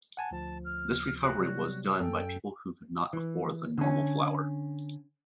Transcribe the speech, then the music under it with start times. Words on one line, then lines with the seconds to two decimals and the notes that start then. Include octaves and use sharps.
This recovery was done by people who could not afford the "normal" flour.
0.17 F#5 G#5 A5
0.31 D2 F3 A5
0.65 F6
1.22 F#4
1.39 C3 F#3 G3
2.00 F#2 C#4 A4 G5
3.13 E3
3.78 D3 C#4